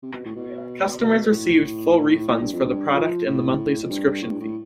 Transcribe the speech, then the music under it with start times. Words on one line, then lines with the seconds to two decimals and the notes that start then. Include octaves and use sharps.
Customers received full refunds for the product and the monthly subscription fee.
0.02 C3
0.13 B2
0.25 A2
0.36 B2
0.99 B2
1.31 A2
2.28 A2
2.41 G2
2.52 F2
2.65 G2
2.93 F3
3.26 A2
3.82 F2
3.90 G2
4.22 A2
4.30 G2
4.40 A2